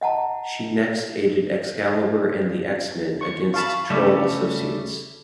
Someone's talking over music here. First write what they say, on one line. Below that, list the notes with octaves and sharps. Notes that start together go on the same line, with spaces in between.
She next aided Excalibur and the X-Men against Troll Associates.
D#5 F#5 A5 A#5
C#6
F5 A5 B5 C#6
C#3 G3 A3 C#4